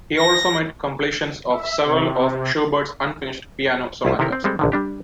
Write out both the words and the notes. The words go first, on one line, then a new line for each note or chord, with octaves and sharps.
He also made completions of several of Schubert's unfinished piano sonatas.
A#6
E5
C3
C2 E4 F4 A5
C3 D#3 C4 E4 A4 A#4
C4
G3 G#3 C4 A4
A#1 D3 D#3
G3 D4 G4